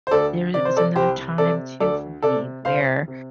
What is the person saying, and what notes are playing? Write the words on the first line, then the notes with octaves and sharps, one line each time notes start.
there was another time too for me where,
C5
D2 A4 D5
C3 D5
C5
A4 D5
C2 G4 C5
C3 A4 D5
D2 A4 D5
C3 A4 D5
C2 C5 F5
C3